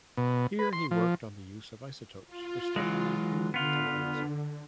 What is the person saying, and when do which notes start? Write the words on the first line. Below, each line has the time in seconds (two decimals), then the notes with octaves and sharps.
Here he worked on the use of isotopes for studying human metabolism.
0.17 B2
0.59 B4
0.73 C6
0.91 F3
2.27 F4
2.76 E3 F#3 G#3
3.54 D3 B3 F4